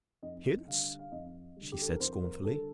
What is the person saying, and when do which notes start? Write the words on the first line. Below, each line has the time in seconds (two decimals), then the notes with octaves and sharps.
"Hints!" she said, scornfully.
0.23 F2 D#5
0.66 D3 G3 F5
0.99 F5
1.12 F2 D#5
1.56 D3 G3
1.72 G4
1.81 A4
1.91 A#4
2.00 F2 C5
2.23 A#4
2.44 D3 G3 A4